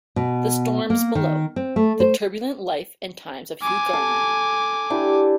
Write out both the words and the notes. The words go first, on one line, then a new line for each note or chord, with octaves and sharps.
The Storms Below: The Turbulent Life and Times of Hugh Garner.
B2
A#3
D#3
C4
A3
C5
G#5 D6
A4
D4 E4 G4